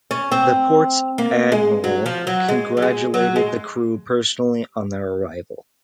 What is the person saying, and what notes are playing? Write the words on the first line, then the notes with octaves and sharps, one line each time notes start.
The port's admiral congratulated the crew personally on their arrival.
C#4
C4
A#3
G#3
F#3
F3
F#3
G#3
F#3
G#3
F#3
G#3